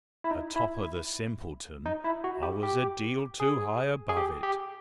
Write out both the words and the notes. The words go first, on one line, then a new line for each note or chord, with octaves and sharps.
Atop of the Simpleton, I was a deal too high above it.
E4
D#4
E4
D#4
E4
F#4
G4
G4
G#4
G#4
G4
G4